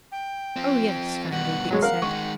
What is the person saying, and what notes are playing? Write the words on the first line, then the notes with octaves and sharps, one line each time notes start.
"Oh, yes," van Riebeek said.
G5
F3 C4
G2 B2 F#5
F#3 G#3 C#5
A#4 F5 F#5
D#3 G#3 C#6